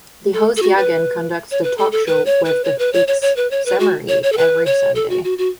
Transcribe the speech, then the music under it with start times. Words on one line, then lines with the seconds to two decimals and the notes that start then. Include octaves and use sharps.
The host Jagan conducts the talk show with the weeks summary every Sunday.
0.33 A4
0.57 A4
0.62 F#4
0.77 B4
1.51 C#5
1.63 B4
1.78 A4
1.92 A4
2.07 B4
2.26 C#5
2.45 B4
2.64 C#5
2.79 B4
2.93 C#5
3.08 C#5
3.22 C#5
3.36 B4
3.51 C#5
3.66 B4
3.80 F#4
4.08 C#5
4.23 C#5
4.32 A4
4.38 B4
4.66 C#5
4.95 A4
5.10 F#4
5.24 F#4
5.38 F#4